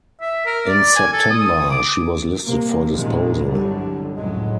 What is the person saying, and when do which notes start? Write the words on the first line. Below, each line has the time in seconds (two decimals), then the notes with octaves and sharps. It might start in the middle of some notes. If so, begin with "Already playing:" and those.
In September she was listed for disposal.
0.21 E5
0.46 A#4
0.68 D5
0.96 G#5
1.13 A4
1.31 D#6
1.71 D6
2.44 C2 C3 A#3
2.92 A#1 F#2 C3 D#3 F3 G#3
3.47 G1 C2 D3 F#3 G3
4.17 F1 C#2 A2 F#3 G#3